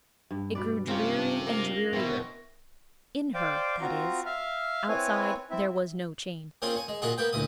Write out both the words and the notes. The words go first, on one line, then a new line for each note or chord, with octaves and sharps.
It grew dreary and drearier--in her, that is: outside there was no change.
G2
B2 B4 D5
C4 C#4 F4 G4 A#4
C#4 D4
A#3
B2 C4 E4
C5 D5 F5 G5
C4 F4 F#4 A#5
E5 F5 F6
C4 E4 B4 C#5 G#5
C4 E4 E5
A#3 C4 C#4 F4 G#4
C#5 G#5
G#3
A#2 A#3 F4 F#4 G#4
A#3 B3 G5
D2 A#2 E3 D#6